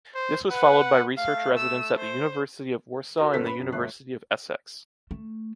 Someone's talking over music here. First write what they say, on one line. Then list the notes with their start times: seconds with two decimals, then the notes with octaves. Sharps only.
This was followed by research residence at the University of Warsaw and the University of Essex.
0.15 C5
0.50 B4 F#5
1.17 A3 F5
1.57 E6
1.98 C5
3.19 F#4 A#4 A#5
3.34 G1 B3 C#4 A4 B6
3.46 B4 B5
3.59 F#2
3.72 G1 A3 F#6 C7
5.11 A3